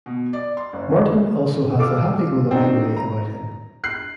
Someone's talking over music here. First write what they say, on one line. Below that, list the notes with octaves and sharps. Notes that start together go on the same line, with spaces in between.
Martin also has a happy-go-lucky way about him.
B2
D5
C6
F#1
F4 A4 D6
C4 D4 D#4 F#4
A#5
F#6 C7